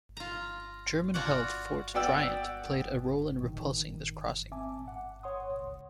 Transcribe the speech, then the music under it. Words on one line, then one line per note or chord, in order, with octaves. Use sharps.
German-held Fort Driant played a role in repulsing this crossing.
F4 A#5
F4 F#4 D5 F#5
B3 F#4 D5 G5 E6
A2 D#3
C4 E5 G#5 A5 D6
F#5
C#5 F#5 C6 D#6
C#2